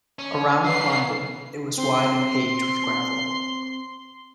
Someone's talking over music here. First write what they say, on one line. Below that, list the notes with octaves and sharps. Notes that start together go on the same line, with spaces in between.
Around London, it was wide and paved with gravel.
C#4
D#4 F#4 B4 C7
C4 C6